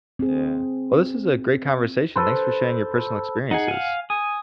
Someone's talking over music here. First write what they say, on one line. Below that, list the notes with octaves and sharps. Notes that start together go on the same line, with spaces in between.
Yeah. Well this is a great conversation, thanks for sharing your personal experiences.
C4 G#4
A4 B4 C5
D#4 G#4 F#5
F5 G#5
G#5 D#6